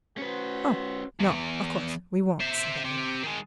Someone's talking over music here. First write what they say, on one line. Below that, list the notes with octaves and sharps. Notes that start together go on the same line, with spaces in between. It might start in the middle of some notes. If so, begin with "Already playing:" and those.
'Oh, no, of course we won't!' said everyone.
C#4 F#4 B4 C5
E2
C5 E5
C4 G4
D#3 G#3